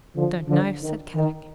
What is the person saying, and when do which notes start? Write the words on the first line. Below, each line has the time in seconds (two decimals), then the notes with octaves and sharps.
"Don't know," said Kadok.
0.15 D3 F3
0.48 D3 F3
0.82 D#3
1.15 D#3